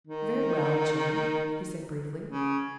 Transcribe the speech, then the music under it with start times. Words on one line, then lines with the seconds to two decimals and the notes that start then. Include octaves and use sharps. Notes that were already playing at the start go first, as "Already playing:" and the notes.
"Very well, Jane," he said, briefly.
0.07 D#3
2.30 C#3